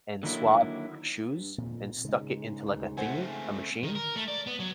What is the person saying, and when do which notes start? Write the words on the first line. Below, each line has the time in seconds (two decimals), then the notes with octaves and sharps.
and swabbed my shoes, and stuck it into, like, a thingy, a machine,
0.23 D3 D#3 F#3 A#3 E4
1.37 G2
1.58 F2 A#2
2.05 G#2 C#3 G#3
2.67 D2
2.98 A3 C4 C5 F#5 G#5
3.51 C#2
3.83 D#3
3.95 A#4
4.16 A3
4.28 D5
4.47 B3
4.60 F#3